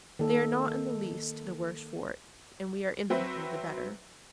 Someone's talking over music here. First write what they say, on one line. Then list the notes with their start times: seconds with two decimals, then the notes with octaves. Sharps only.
They are not in the least the worse for it, and we are infinitely the better.
0.19 D#3 A#3 A4
3.10 F#3 C4 F#4 B4 C5 E5